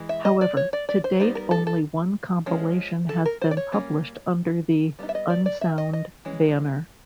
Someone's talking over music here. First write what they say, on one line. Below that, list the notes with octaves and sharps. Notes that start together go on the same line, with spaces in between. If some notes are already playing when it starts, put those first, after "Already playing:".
However, to date only one compilation has been published under the "Unsound" banner.
Already playing: E3 G#3
E5
D#5
D5
C#5
D5
D5
C5
G3 B3 D#4 C5
A#4
A4
A4
F3 G#3 C#4
A4
A#4
C5
D5
C#5
G3 A#3 C#4
G3 B3 D#4
E5
D#5
D5
D5
E5
D#5
D#5
E3 G#3 C#4